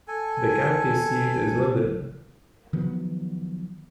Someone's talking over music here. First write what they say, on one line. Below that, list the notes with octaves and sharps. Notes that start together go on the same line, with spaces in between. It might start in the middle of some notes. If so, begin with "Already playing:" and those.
The county seat is Linden.
A4 G#5
D#3 F3 F#3 B3